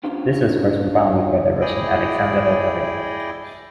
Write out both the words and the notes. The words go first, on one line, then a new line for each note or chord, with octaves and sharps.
This was first propounded by the Russian Alexander Oparin.
B3 C#4 D4 F4 G4 C5
E4 G#4 D5 D#5 G5